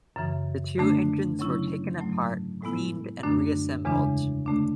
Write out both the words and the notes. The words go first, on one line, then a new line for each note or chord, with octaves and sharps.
The two engines were taken apart, cleaned and reassembled.
F#2 C#3 E3
D3 A3 D4
C#3 F#3 C#4 E4
G#2 F#3 A3
A2 G#3 B3 E4
F#2 D3 A3 D4
E2 C#3 E3 G#3 D4
D3 A3 D4